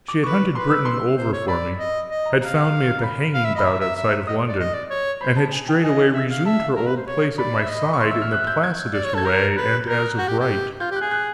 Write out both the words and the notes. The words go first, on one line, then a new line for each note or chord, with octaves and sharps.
She had hunted Britain over for me; had found me at the hanging-bout outside of London, and had straightway resumed her old place at my side in the placidest way and as of right.
D6
B4 C#6
B4 C6
E6
C6
C5
C#5
D5 B5
D#5
D#5
A#5
F5 A#5
A#5
B5
F5
E5
D#5
B5
E5 A#5
E5
E5
D#5 D#6
D5
D#5
D5
C#5
C5 B5
A5
G#5
G5
D#5 G#5
E5
F5
E5 A5
F5
A#4
B4
C5
C#5
D5 B5
E5
D#5
C#6
E5 C6
E6
F6
F#6
G6
G#6
D5
C#5
A4
G#6
A#4 G6
G6
B4 F#6
F#6
A#4 G6
D#6
F#6
F#4 G6
G4
G4
F4 G6
G4
F#6
G#4
F#6